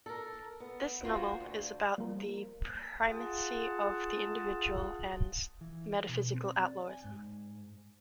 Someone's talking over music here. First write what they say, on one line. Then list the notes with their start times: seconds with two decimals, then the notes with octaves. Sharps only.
This novel is about the primacy of the individual and "metaphysical outlawism".
0.06 A4 A#4
0.60 B3
1.03 F3 A#3 F4 F#4
1.40 D2
1.98 F3 G3 A#3 A#4
3.01 F4 G#4 F#5 A5
5.61 E3
6.09 B2
6.34 C4
6.67 D5
6.89 G#5
7.04 G#2